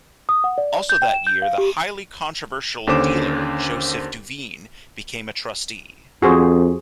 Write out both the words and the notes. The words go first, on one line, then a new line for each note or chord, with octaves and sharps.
Also that year the highly controversial dealer Joseph Duveen became a Trustee.
D#6
F#5
D5
G6
G5
E7
G6
F5
G4
D#2 D3 C#4 C5 D6 E7
F2 F#4 G#4 C5